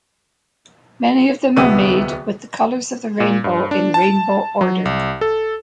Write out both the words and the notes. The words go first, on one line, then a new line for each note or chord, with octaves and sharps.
Many of them are made with the colors of the rainbow in rainbow order.
D1 C2 B3 D#6 E6 D#7
A#2
G2
D4
A5
F#3
C2
A4